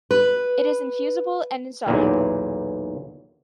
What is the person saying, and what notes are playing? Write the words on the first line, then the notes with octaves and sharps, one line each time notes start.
It is infusible and insoluble.
B4
B1 E2 A#2 E3